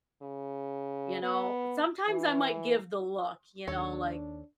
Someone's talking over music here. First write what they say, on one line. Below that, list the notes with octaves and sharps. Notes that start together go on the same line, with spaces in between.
you know? Sometimes I might give the look, you know, like
C#3
B3
E3
D#2 D4 A4 C#5